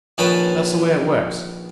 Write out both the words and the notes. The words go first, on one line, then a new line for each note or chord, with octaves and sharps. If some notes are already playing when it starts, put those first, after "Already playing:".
That's the way it works.
A#1 D#3 C#4 B4 A5 B5